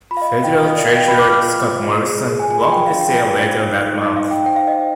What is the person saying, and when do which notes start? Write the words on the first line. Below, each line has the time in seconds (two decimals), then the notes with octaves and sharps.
Federal Treasurer, Scott Morrison, blocked the sale later that month.
0.11 F4 B5
0.17 F5
0.22 D#5
0.32 F4 F5
0.44 G5
0.54 F4 F5
0.65 D#5
0.76 D5 D#5
0.86 F5
0.97 B4 G5
1.08 B5
1.19 F4 D6
1.30 F6
1.42 F4
1.63 F4
1.85 G#4
2.06 G#4
2.29 G#4
2.40 G#5
2.50 F4 G#5
2.60 B5
2.67 G#5
2.71 F4 G5
2.86 F5
2.94 D4
3.01 G5
3.15 F4
3.38 D5
3.58 D#4
3.81 D#4
4.02 D#4 D#5
4.17 F5
4.23 D#4
4.31 G5
4.46 C5 G5
4.56 F5
4.67 C5 D#5
4.78 F5